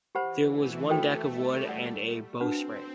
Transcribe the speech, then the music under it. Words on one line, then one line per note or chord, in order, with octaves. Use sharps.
There was one deck, of wood, and a bowsprit.
E3 G4 C5 F#5 B5
A3
A3 F#4 A4 C5 G5
G3
A4 D5 F#5
C4 D4 F#4 B4 F#5 A5